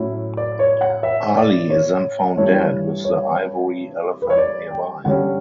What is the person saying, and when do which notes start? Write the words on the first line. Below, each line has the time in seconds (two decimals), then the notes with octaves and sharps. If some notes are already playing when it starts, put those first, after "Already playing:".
Ali is then found dead with the ivory elephant nearby.
Already playing: A2 F#3 C#4 E4
0.37 D5
0.59 C#5
0.81 F#5
1.03 E5
1.37 D5
1.70 C#5
2.37 G2 E3 A3 C#5
3.04 C#5
4.22 B4
4.30 C#5
4.37 D5
4.71 G5
5.04 G2 D3 G3 C#4 F#5